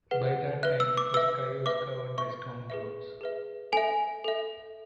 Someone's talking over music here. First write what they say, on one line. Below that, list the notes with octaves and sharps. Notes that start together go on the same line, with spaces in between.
By that time, the sky was covered by storm clouds.
G#4 B4 F#5
B4 E5 F#6
E6
D6
B4 E5 E6
B4 E5 D6
B4 E5 C#6
G#4 B4 E5
G#4 B4 E5
A4 E5 G#5
A4 E5